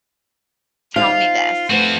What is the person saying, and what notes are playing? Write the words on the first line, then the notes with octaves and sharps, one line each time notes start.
tell me this."
D#4 F4 C5 F5
F3 A3 C4 F#4 B4 C5